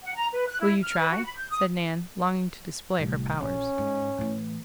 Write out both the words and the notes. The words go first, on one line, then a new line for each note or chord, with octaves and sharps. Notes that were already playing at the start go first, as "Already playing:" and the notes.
"Will you try?" said Nan, longing to display her powers.
F#5
A#5
B4
F#6
E4
F6
B4
F#4
B5
G6
D#6
C2 A2
A#1 C#4
G#2
A2 E3